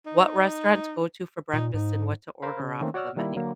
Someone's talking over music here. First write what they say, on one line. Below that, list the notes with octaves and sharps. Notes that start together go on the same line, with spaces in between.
what restaurant to go to for breakfast and what to order off of the menu. I
D#4
A#2 D#4
G#2 D#4
A#4 C5 F5 B5
C#3
D#3 A3 A#3 C4 C#4
F#4 C#5 D5 F#5 E6 F6
D#3 G3 A#3 E4
D3 F#3 A#3